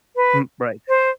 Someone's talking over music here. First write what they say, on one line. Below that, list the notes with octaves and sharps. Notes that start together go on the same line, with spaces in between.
Hmm, right.
B4
C5